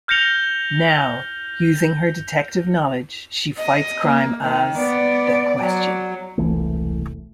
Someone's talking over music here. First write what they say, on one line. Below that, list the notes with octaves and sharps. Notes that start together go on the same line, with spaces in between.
Now, using her detective knowledge, she fights crime as "The Question".
F6 G6 A#6 C#7 F7 G7
D#5
A#3
D#3
B3 D5
F#3
E1 C2 E3 A3